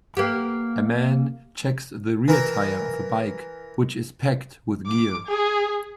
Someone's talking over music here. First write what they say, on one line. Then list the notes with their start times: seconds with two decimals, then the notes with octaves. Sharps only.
A man checks the rear tire of a bike which is packed with gear.
0.17 A#3 B3 G4
2.28 E3 A#4
4.87 D6
5.27 G#4